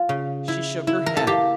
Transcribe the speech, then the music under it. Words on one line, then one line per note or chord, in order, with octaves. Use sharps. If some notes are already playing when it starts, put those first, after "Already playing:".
She shook her head.
Already playing: F4
C#3
E4
E4
A#4
A4
A#3 G4